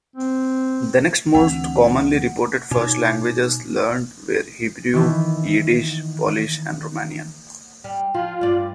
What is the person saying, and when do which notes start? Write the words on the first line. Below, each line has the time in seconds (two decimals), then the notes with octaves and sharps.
The next most commonly reported first languages learned were Hebrew, Yiddish, Polish and Romanian.
0.16 C4
1.35 D2 E3 C4 F#5
2.71 B2 D#4
4.93 D#3 E3 B3
7.84 G3
8.14 F3 F4
8.41 G2 D5